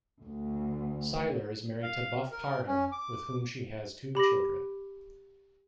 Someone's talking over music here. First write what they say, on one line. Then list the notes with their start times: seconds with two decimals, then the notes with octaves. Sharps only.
Syler is married to Buff Parham, with whom she has two children.
0.21 D2
1.83 F5
2.32 A#4
2.68 C#4
2.92 D6
4.15 G4 B5 D6 A#6